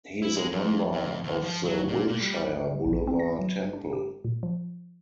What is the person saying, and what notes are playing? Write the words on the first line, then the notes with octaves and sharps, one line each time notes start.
He is a member of the Wilshire Boulevard Temple.
E4
G#3
F2
F2
D#2
F3
F#3
A#2
A#2
G3
G3
A#1
C4
A#6
F#3
D4
G4
A#2
F3